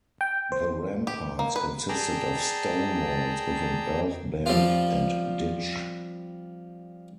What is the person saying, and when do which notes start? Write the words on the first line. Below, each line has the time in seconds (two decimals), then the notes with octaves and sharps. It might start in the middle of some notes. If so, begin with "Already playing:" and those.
The ramparts consisted of stone walls with an earth bank and ditch.
0.21 G5
0.52 C5
1.07 G4
1.39 A#3
1.56 B4
1.89 G#4 D5 G5 A5 A#5
4.46 F3 G3 C4 F4